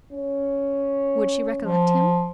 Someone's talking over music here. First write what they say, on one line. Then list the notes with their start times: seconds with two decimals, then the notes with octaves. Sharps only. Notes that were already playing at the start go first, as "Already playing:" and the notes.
Would she recollect him?
0.13 C#4
1.62 F3